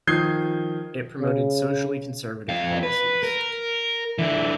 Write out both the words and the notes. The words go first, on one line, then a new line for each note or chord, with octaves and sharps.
It promoted socially conservative policies.
D#3 F3 D#6 G6 G#6 C7
C#3
F2 F5
B4
A#4
D3 E3